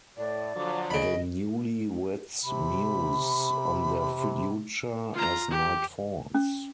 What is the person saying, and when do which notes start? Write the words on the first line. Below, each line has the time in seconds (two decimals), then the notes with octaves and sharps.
The newlyweds muse on their future as night falls.
0.17 A2 D5
0.56 D3 F3 F#3 D6
0.90 C#3 D#5 B5
2.43 C3 B5
5.13 F4 A#5
5.50 G4
6.34 C#4